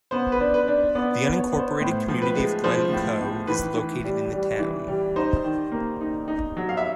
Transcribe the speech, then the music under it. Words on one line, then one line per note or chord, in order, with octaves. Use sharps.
The unincorporated community of Glencoe is located in the town.
B3 C5
B4
D4
B4
D4
B3 D5
B3
C#5
B3
C5
A2 C5
F3
B4
G#3
F3 C5
A2
A2
E3 B4
E3
G3
G3
E3
G3
D#4 C5
D#3
A#3
D#4
D#4
F#3
F5
E5